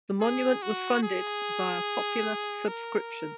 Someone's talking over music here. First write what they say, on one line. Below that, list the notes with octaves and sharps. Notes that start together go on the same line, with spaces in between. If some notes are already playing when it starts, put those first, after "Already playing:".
The monument was funded via popular subscription.
G#4
F#4
G#4
A#4